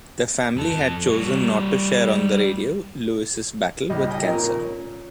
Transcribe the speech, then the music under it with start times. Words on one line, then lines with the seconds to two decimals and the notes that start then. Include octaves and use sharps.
The family had chosen not to share on the radio Lewis' battle with cancer.
0.56 F2 A4
1.07 G3 C#5
3.90 C#2 G3 D#5
4.11 D#4 G4 D#5 G5 G#5
4.24 F2 A#2 C#3 A#4
4.62 C#4